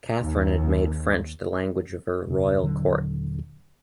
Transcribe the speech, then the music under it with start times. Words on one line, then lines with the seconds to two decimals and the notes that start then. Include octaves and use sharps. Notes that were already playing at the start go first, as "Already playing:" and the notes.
Catherine had made French the language of her royal court.
0.21 D#2
2.27 E1 C#3
2.61 D#1 D3 F#3